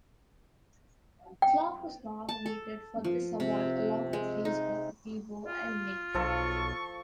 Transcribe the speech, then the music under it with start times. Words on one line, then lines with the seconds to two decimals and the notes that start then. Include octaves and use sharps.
Flock was nominated for this award along with Facebook, Bebo and Ning.
1.42 G5
2.29 A5
2.46 A4
3.04 F3
3.40 C3
4.13 G#3
4.45 D#4
5.48 F4
6.15 B1 F3 A4 C#6